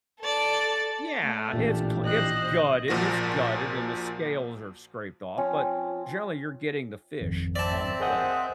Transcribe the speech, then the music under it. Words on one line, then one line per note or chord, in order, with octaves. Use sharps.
Yeah, it's cle it's gutted, it's gutted, and the scales are scraped off, but, generally, you're getting the fish on the plate,
A4 D5
A3
A1 A#2 E3 D4 G4
C5 D#5 F#6
A#1 A#2 F3 F#4 A#6
F3 C4 C#4
G#1 F2
C4 D5 E5 A5
G#4 A#4 C5 D#5 F#5